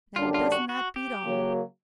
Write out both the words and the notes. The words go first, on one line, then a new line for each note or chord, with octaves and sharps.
Now, doesn't that beat all?
F#2 D3 G3 A#3 D4 F4
F4
F#4
F#4
G4
C#3 F#3 A#3